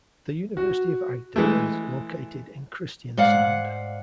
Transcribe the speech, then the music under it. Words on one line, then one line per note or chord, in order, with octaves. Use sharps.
The University of Agder is located in Kristiansand.
F#4
E3 G#3 A3
G#2 D5 F5 F#5